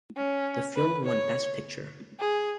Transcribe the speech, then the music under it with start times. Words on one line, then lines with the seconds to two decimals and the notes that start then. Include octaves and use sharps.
The film won Best Picture.
0.17 C#4
0.76 B4
1.05 C#5
2.20 G#4